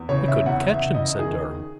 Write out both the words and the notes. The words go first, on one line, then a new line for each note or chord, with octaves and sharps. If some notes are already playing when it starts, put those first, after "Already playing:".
"We couldn't catch him," said Durham.
Already playing: E2
C#3 C#5
E5
E2 F#5
E5
C#3
D#5
D#3 G#4